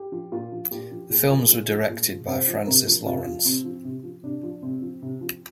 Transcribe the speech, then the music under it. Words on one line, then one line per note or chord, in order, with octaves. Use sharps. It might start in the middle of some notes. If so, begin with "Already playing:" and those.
The films were directed by Francis Lawrence.
Already playing: G4
F3
A#2 F4
F3
A#2 G4
F3
A#2 G#4
A#4
F3
G#4
A#2
F3
A#2
F3
C3 C5
F3
C3 A#4
F3
C3 F4
F3
C3 C4
F3
C3
F3
C3 D4
F3
C3 C4
F3
C3
F3